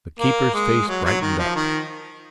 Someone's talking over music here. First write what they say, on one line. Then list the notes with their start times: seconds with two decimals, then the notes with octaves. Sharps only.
The keeper's face brightened up.
0.19 A#3
0.54 G#3
0.88 F#3
1.05 F#3
1.21 D#3
1.39 F3
1.56 D#3